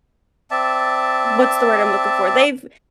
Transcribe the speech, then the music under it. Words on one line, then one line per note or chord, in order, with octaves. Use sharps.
what's the word I'm looking for they've
C4 D5 E5 A5